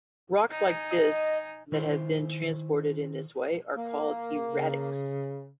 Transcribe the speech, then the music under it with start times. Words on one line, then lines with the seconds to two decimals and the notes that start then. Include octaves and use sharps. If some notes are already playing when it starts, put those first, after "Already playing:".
Rocks like this that have been transported in this way are called erratics.
0.51 D#4 G#5
0.91 D#5
1.72 D#3 E4 C5
3.77 A#3
4.51 C#3